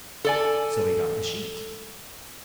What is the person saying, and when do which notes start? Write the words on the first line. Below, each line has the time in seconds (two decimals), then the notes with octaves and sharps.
So he got the sheet.
0.24 A4 D5 G#5